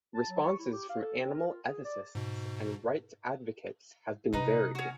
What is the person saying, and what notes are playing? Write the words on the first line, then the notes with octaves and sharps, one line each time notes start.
Responses from animal ethicists and rights advocates have been varied.
A5
F#3
C#6
E4
G4
F5
A4
C4
A#4
F4
G#4
D5
G#2 B2
C3 D#4 B4
C#4 F#4